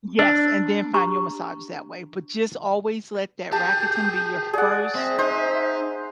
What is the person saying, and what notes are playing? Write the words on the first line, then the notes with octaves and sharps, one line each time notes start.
Yes, and then find your massage that way, but just always let that Rakuten be your first
D4 E6
G4 A#5 C#6
G4 G#4 A5 G6
G#4 D5 F#5
C4 E5
D#4 C5